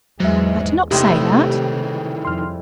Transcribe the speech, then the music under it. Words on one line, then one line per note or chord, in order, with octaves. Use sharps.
"I did not say that."
E2 G#2 F#3 G#3 E5
A2 C3 D#3 E3 G3 G#3 G4
F2 C6 F6